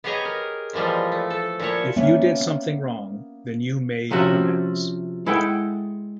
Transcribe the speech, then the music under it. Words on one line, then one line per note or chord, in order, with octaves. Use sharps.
If you did something wrong then you made amends.
B3 G4 G#4 C#5 D#5 A#5
A#4
A#2 E3 F3 G3 G#3
A3
A4
A#2 F3 E4 C#5
A#3 B3 C#4 D4 E5 G#5
C3 F3 C#4 F#4 E5
G#3 E4 A4 F#5 G5